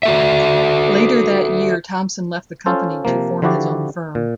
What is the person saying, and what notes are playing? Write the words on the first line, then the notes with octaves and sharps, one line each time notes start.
Later that year Thompson left the company to form his own firm.
F#4 A4 E5
C#4 F4 A4 C5
C3 F3 A#3
D3 F3 E4 F#4 G4 D5
A#2